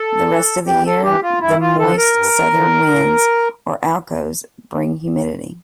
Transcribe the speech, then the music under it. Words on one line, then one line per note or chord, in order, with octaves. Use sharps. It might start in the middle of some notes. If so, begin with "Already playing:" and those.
The rest of the year, the moist southern winds, or alcos, bring humidity.
Already playing: A4
E3
E2 G4
A4
E3 G4
F4
G2 E4
F4
D3 F3 A4
A#4
G2
D3 F3
A2